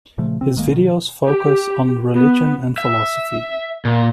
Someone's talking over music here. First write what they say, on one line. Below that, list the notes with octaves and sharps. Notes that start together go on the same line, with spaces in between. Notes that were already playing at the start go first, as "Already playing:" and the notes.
His videos focus on religion and philosophy.
A#2 C#3 F3 A3
C3 C4
G1 D#3 G#3 A#3
B2 D#3
G4
B3
E5
A#2